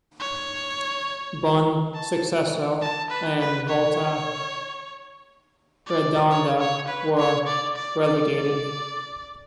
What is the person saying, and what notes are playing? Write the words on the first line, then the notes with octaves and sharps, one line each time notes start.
Bonsucesso and Volta Redonda were relegated.
C#5
A5
A5
B4
B4
C#5
D5
C#5
C#5
B4
C#5
D5
D5
D5